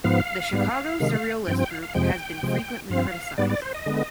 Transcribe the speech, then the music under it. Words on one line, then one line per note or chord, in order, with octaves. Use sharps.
The Chicago Surrealist Group has been frequently criticised.
G#2 F3 B3 F5
G#2 G3 B3
C3 D#3 G#3
G2 F3 C4 G5
G5
F5
F5
F2 C3 F3 G#3 G5
C3 F3 G#3
G2 F3 C4 F5
G#2 G3 B3 D5
D5
C5
D#5
D3 G#3 B3